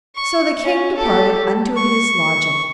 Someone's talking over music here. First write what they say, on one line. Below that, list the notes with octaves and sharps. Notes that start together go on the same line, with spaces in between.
So the king departed unto his lodging.
C#6
C#4
G4 A4
C#6